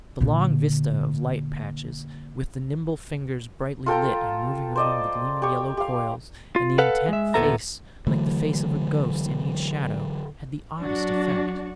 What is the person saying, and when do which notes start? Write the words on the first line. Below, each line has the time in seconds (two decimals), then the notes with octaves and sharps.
The long vista of light patches, with the nimble fingers brightly lit and moving among the gleaming yellow coils, and the intent face like the face of a ghost, in each shadow, had the oddest effect.
0.20 A#2 D3
3.86 F4 A4 G5 A#5
4.76 C5 D5 D#5
5.42 G4 C#6
5.77 G4 F5
6.56 F4
6.78 A4 B4 F5 F#5
7.09 G#3 E5
7.34 D#2 A#2 B3 A4 E5 A#5
8.07 D3 E3 F#3 A3
10.79 F#3 D4 F#4